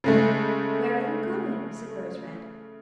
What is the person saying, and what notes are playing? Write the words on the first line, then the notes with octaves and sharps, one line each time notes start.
"Where are you going?" said Rose-Red.
C#3 G#3 A3